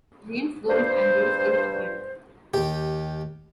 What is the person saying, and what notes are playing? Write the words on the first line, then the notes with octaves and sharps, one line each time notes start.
James Gold Andrews in command.
G2 C5
D#2 G4